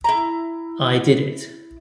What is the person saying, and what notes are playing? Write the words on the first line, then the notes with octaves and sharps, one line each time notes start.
I did it.
E4 A#5